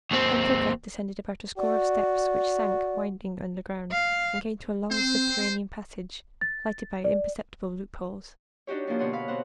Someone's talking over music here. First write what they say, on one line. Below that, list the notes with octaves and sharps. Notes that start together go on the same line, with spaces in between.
Then Fouquet descended about a score of steps which sank, winding, underground, and came to a long, subterranean passage, lighted by imperceptible loopholes.
D#2 C4
F#4 D5
F5
C4 C5
A6
D5
D4 D#4 F#4 G4 C#5
F3 A#3 C#4 D4
B2 D3 C#5 F#5 C6 D#6
F5 B5 F6
B2 C4 C5 F#5